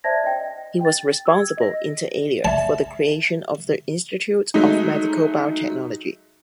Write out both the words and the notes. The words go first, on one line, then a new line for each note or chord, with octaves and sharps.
He was responsible inter alia for the creation of the Institute of Medical Biotechnology.
C5 D5 E5 A5 G#6 A#6
D#5 G5
G5 A6
E6 G#6
D#5 A#6
D5 E5 A5
F#3 G#3 A3 D#4